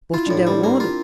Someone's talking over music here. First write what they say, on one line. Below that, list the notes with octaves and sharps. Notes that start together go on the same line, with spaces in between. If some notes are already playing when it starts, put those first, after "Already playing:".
"But you don't want it!"
E4 F4
A2 D4
E4
G3 C4
A#3 C4
F4